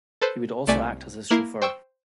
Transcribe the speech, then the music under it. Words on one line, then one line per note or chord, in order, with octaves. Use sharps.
He would also act as his chauffeur.
A4 B4 C5
C2 A3 D5 G#5 B6
A#3 E4 A#4 A#6 C7
C5 G5 C#6 E6